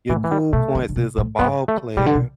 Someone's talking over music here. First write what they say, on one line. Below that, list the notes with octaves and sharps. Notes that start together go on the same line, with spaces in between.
your cool points as a ball player
A2 E3
E3
G3
B2 A3
D3
D3
B2
A2
G2 B3
A3
B2 G3
D3
B2